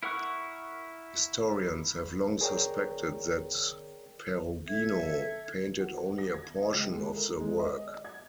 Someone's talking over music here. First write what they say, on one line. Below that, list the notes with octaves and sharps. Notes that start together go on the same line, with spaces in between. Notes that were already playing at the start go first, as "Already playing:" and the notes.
Historians have long suspected that Perugino painted only a portion of the work.
E4 A#4 F#5 C#6 F#6
G#4 A#4 C#5 D5 G5 A#5
A4 E5 G#6
F#4
A#6
G#6
D#5
C#2
G#3
A#4
G#3
D#5
D5
G#6